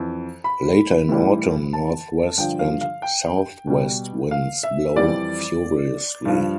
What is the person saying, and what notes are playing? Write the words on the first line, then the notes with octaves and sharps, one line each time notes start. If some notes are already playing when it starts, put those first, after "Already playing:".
Later in autumn, northwest and southwest winds blow furiously.
Already playing: F2 E3
B5
A2 E3 G3
A5
G2 D3 F3 G5
F5
F5
G5
B2 G3
F5
E5
F2 E3 G3 D5
G2 F3